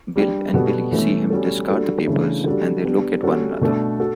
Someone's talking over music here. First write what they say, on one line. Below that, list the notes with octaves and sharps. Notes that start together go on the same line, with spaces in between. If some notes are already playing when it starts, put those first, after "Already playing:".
Bill and Billie see him discard the papers, and they look at one another.
G3 D4 G4
B2 G3 B3 F#4 A4
E3 A3 C#4
G3 C#4 F#4 A4
G3 D4 F#4 A4
C#3 E3 A3 D4
G3 D4 F#4 A4
G3 B3 D4 G4
G3 C#4 F#4 A4
B2 A3 D4 A4
F#4 A4